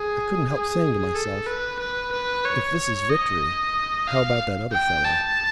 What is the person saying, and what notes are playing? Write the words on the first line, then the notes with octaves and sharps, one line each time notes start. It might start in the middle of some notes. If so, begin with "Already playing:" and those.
I couldn't help saying to myself, "If this is victory, how about that other fellow?"
Already playing: G#4
G#4
A4
B4
B4
B4
C#5
D#5
F5
G5
A5